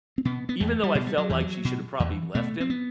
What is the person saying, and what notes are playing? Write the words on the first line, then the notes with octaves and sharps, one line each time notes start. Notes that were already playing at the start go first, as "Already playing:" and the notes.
even though I felt like she should have probably left him,
C4
B2 B3
B3
E2 A3
G3
B2
G3
F#3
E2 E3
F#3
B2
E2 E3
B2 A3
C4
B3